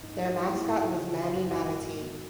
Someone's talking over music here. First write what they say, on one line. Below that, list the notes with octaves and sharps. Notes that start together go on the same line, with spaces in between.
Their mascot was Manny Manatee.
G#2 D#4
G#2 D#4 F#4
A#3 E4 G#4
E4 G#4
G#2
D#4 F#4
C#3
C#3
F#2 F#4
E4
D#4 F#4
G#3
G#2
B3